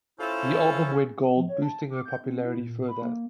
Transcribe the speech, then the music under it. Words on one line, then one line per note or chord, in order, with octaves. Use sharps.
The album went gold, boosting her popularity further.
C#4 E4 F4 A4 C5
F3
C#5
A5
D6
G6
C4
E4
A#2
B5
A#3